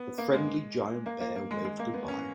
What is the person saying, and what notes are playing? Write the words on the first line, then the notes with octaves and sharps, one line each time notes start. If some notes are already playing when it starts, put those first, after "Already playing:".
The friendly giant bear waved goodbye.
Already playing: B3
A#3
G#3
A#3
A#3
A#3
G#3
G#3
A#3
B3
C#4